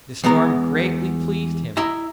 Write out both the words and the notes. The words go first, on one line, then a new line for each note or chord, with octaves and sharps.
The storm greatly pleased him.
E2 G#3 B3 A#5
E4 D#5 E5 A#5